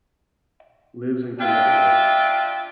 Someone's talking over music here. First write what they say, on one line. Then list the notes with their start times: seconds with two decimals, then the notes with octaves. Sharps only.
Lives in Connecticut.
1.40 D4 F4 E5 G5